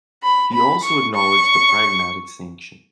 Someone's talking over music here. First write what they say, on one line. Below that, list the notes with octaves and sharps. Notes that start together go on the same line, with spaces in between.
He also acknowledged the Pragmatic Sanction.
B5
B5
C#6
C#6